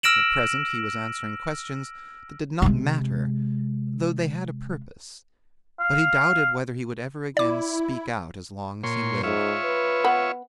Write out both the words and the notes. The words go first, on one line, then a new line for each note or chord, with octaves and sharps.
At present he was answering questions that did not matter though they had a purpose, but he doubted whether he would ever again speak out as long as he lived.
E6 F6 A#6 D7 E7 F#7
C3 G#3
F5
E4 D5 D6
A#2 C#5 C6
G#2 F4 C#5 E5
B4
B3